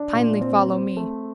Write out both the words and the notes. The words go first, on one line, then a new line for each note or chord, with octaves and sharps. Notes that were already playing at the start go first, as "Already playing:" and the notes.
"Kindly follow me."
Already playing: D4 D5
A#2
C4
C4
A3